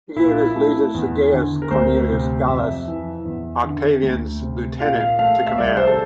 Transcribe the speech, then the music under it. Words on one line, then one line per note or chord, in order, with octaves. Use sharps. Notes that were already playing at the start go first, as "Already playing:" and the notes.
He gave his legions to Gaius Cornelius Gallus, Octavian's lieutenant, to command.
A#2 E4
F4
E4
A3
E2
D3
A#4
D2 C5
C3
F2 E5
E3
E2
D3
D2
C3
A#2 F5
F5
A3 F5
E5
C2 D5
C5
A4